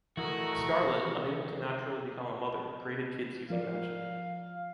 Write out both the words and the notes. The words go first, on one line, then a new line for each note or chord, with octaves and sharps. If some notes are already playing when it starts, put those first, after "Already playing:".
Scarlet, unable to naturally become a mother, created kids using magic.
E3 A3 E4 F#4 A#4 D#5
F3 A#4 D5 F5